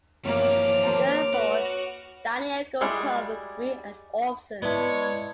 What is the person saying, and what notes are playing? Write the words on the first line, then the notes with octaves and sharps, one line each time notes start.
Therefore, Danielle goes home with Bree and Orson.
G1 E3 F3 A#3 C#5 D6 F6
A#3 C5 A5
F#4 B4 F#5
G3 G#3 E4 F#4 G#4
G#3 B3 E4 C#5 D5 A5